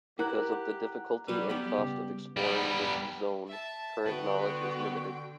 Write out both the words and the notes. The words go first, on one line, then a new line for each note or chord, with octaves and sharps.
Because of the difficulty and cost of exploring this zone, current knowledge is limited.
E4 G4 A#4 F#5 A#5 F#6
F#3 G3 B4
G3 B3 G4
C#3
G3 B3
E5 A5
D3 B3 F#4 B4 G5